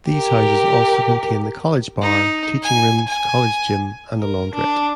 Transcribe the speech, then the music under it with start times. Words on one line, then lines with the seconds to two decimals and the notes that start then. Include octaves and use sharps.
These houses also contain the college bar, teaching rooms, college gym, and a laundrette.
0.10 G4 A#4
2.01 D#4
2.62 G#5
3.07 G#5
4.20 A#4
4.53 D4